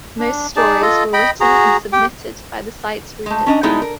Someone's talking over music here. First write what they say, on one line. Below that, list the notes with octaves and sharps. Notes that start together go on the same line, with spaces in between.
Most stories were written and submitted by the site's readers.
D4
D#4 G#4 D5 A5
F4 A4 D#5
D#5 G5 B5
F#4 G#4 A#5
G4 G5
G#3 A3
C#4 D4 D#5 A#5
G3 G#3 B3 D#4 E4 A4
A#4